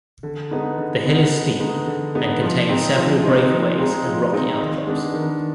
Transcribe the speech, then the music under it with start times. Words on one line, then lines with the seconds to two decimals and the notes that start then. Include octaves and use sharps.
The hill is steep and contain several breakaways and rocky outcrops.
0.23 D3
0.51 G#3 B3 D#4
0.78 D3
1.05 G#3 B3 D#4
1.32 D3
1.60 G#3 B3 D#4
1.87 D3
2.15 G#3 B3 D#4
2.41 F3
2.69 G#3 C4 D#4
2.96 F3
3.23 G#3 C4 D#4
3.51 F3
3.78 G#3 C4 D#4
4.05 F3
4.32 G#3 C4 D#4
4.60 D#3
4.87 G#3 B3 D4
5.14 D#3